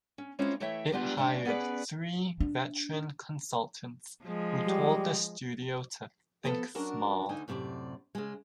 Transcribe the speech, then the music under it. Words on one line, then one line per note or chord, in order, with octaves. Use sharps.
It hired three veteran consultants, who told the studio to "think small".
C#4
G#3 A#3 C4 C#4 E4 F4
E3 A3 E4 C#5 E5 G5
G3 G#3 B3 D4 F4 G4
D3 A3 C#4 D4
B3 C#4 G#4 A#4 B4 D5
D4
F3 G#3
G3
F3 B3 A4
F#3 C#4 D4 F#4 A#4
D2 D3 D#4 G#5
F#2 A2 C3 G#4 D5
C#3 G#3